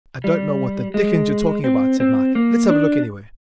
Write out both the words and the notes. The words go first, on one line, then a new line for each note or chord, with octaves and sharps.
'I don't know what the dickens you're talking about,' said Mike. 'Let's have a look, anyway.'
G3
G#3
C4
C4
A#3
D4